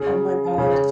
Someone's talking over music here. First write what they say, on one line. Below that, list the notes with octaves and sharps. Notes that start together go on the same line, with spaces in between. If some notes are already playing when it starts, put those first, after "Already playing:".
Oh my gosh.
Already playing: C#3
C#3